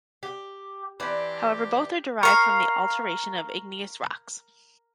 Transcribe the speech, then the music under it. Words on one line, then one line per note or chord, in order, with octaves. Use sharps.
However both are derived from the alteration of igneous rocks.
G4
E3 C4 D4 G4
A#4 F5 C#6 F6